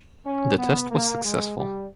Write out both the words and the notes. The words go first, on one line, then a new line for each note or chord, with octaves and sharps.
The test was successful.
C#4
B3
A#3
G#3
G3